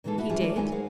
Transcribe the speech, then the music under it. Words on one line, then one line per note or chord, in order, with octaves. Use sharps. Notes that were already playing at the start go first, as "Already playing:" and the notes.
"He did."
A#2 D#3 E3 G#3 A#3 A4
D#4 E4 F#4
E3 F3 G3 D4 F4 G#4
F#3 A3 A#3 A#4 B4 D5
D#2 D#3 G#3 F#4 A#4 G#5
G#4 A#4 C5 F5 F#5